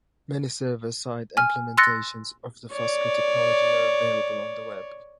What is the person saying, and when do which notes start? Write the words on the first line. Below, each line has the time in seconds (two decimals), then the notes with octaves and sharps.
Many server-side implementations of the Fusker technology are available on the web.
1.37 G#5 F6
1.78 C6 E6 F#6 A6 A#6 C#7
2.72 C#5 D5